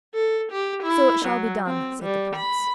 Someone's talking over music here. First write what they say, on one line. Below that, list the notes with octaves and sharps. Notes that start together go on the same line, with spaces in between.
"So it shall be done!" said the Prince.
A4
G4
E4
F#3
C4
G3
B5